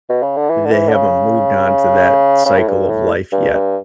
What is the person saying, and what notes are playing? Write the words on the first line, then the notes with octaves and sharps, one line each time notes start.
They haven't moved on to that cycle of life yet,
B2
C#3
D3
E3
D3
E3
D3
C#3
C#3
A2
G2
A2
G2
G2